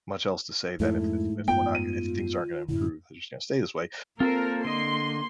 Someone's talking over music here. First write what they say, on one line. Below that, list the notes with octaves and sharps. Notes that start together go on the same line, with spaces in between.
"much else to say then if if if we're not if things aren't gonna improve, they're just gonna stay this way.
F2 G#2 A3 E4
F#2 B3 F4 G5
D#7
F#2 A2 D3 E4
A#3 C4 F4 A4 A#4 C5
D3 D#5 C6